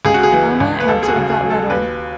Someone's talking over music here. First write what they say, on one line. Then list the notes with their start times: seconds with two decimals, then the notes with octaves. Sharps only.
Alma answered that letter.
0.05 C#2 G#4
0.14 F#4
0.23 G#4
0.32 E3
0.60 C#2
0.80 B4
0.88 D#2 A4
1.03 G#4
1.08 F#4
1.16 C#3
1.30 G#4
1.42 F#3
1.50 A4
1.70 D#2 B4